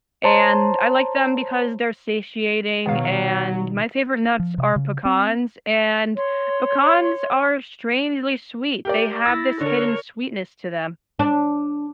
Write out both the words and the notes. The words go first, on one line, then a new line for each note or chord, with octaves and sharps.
and I like them because they're satiating, and my favorite nuts are pecans, and pecans are strangely sweet, they have this hidden sweetness to them.
C5 C#5 A5 A#5 C6
B2 D#3 F#3 B3 F5
F3
C3
C#3
C4
C#5 C6
G4 A#4 D5
E4 E6 A6 A#6
D3 A#4 C#5
D4